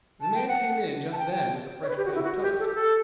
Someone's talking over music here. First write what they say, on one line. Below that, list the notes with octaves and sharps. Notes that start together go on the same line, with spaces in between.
The man came in just then with a fresh plate of toast.
A5
G5
F#5
A5
G5
C#5
B4
G4
F#4
E4
F#4
G4
A4
G4
A4